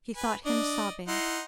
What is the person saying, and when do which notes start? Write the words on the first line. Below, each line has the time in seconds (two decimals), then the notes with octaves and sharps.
She thought him sobbing.
0.16 B4 G#5
0.46 D4 D5 D#5
1.08 D#4 E4 F#5 C6